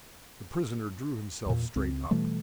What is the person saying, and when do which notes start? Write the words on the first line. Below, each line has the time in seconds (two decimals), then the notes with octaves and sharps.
The prisoner drew himself straight up.
1.46 E2 A#2
1.76 C#2 C4
2.11 B2 E3 G3 A3